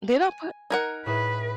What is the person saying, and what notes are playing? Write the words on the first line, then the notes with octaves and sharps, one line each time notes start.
They don't put
G#5
D#4 A#4 F#5 G#6
A2 G#4 B4 E5